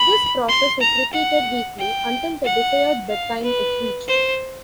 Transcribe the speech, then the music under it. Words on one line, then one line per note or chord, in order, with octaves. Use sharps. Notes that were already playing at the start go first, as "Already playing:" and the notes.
This process is repeated weekly until the desired bedtime is reached.
Already playing: B5
C6
A#5
F#5
G5
F#5
F5
B4
C5